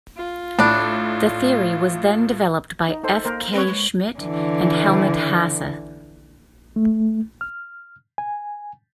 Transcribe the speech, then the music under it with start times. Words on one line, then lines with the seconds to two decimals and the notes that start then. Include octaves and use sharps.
The theory was then developed by F. K. Schmidt and Helmut Hasse.
0.16 F4
0.59 A2 G3 D4
2.88 D#4
3.04 D#4 A4 C5
3.24 A#3 A#4 C5
3.53 C4 B4 C#5
3.68 G#3
4.19 D3 E3
6.76 A3
7.41 F6
8.18 G#5